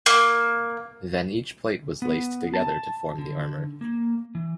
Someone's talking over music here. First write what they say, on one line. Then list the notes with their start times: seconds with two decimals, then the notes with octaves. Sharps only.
Then each plate was laced together to form the armor.
0.06 A#3
2.02 B3
2.54 A5
3.19 D3
3.81 A#3
4.35 E3